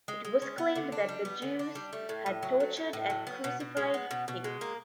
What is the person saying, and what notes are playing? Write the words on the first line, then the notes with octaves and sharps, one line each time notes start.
It was claimed that the Jews had tortured and crucified him.
G#3
G#3
C#4
B3
D3
D4
G3
B3
D3
D4
G3
A3
A2
A2
F#3
A3
A2
A2
F#3
B3
B2
B2
G#3
B3
B2
B2
G#3
A#3